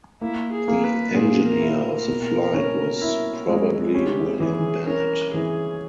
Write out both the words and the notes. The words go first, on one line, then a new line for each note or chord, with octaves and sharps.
The engineer of the flight was probably William Bennet.
A#3 E4
G#4
A#3
B4
A#2 G#4
A#4
E4
A#4
B2
C#4
E4
G#3
C#4 G4
E3 G#4
C#4 A#4
E3 G#4